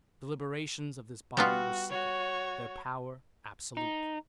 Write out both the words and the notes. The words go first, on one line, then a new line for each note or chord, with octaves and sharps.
The deliberations of this body were secret, their power absolute.
G3 B3 F4 F#4
F#4 C#5
D#4